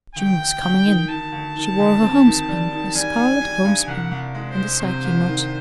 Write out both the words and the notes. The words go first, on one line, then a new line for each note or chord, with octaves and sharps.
June was coming in--she wore her homespun, her scarlet homespun and the Psyche knot.
D2 G5
D2
D2
D#3
D#3 A5
D2
D#3
D2
C4
D#3
G3
D#3
G3 G#5
G3
G3
G2
C2 F#5
C2
G#3
C5
G#3
C3 C5
C2
D#3